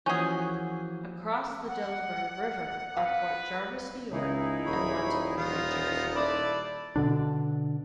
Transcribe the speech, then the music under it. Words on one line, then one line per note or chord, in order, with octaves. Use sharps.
Across the Delaware River are Port Jervis, New York and Montague, New Jersey.
E3 F3 A#3 C#4 F#4 G#4 G6
F#5
B4 F5
C#2 D#4 E4 G#4
D#1 C#5 B5
B3 D#4 F4
E4 A4 B4 D5 A5
B2 D3 D4